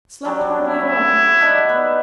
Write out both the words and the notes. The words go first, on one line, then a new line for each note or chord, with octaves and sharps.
Slept hardly at all.
F#3 G3
E4
D4 D#4 F#5
B3